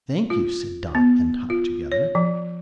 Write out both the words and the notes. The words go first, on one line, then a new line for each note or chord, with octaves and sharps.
"Thank you," said Dot and Tot together.
F4
B3
F4
C#5
F3